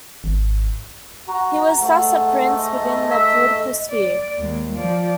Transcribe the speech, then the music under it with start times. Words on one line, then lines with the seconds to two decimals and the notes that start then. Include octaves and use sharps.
He was thus a prince within the political sphere.
0.24 G#1
1.28 F#4 A#5
1.79 G#2 A3 F#5
2.57 D#5
3.11 E5
3.89 D5
4.38 D#2 G#3
4.75 F3 D5